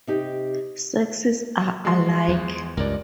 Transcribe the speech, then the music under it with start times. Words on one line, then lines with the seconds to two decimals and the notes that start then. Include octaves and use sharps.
Sexes are alike.
0.07 C3 D#4 G4
1.85 G#3 F#4 C6
2.28 E2
2.77 C#2 G2 A#4 D5